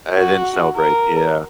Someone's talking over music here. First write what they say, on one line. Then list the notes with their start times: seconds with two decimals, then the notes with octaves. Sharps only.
I didn't celebrate, yeah.
0.15 F#4
0.76 A#4